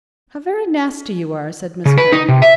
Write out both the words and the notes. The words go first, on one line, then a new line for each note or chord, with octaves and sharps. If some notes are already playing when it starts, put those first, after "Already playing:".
"How very nasty you are!" said Miss Carroll.
C#3
B4
D#4
C3
E5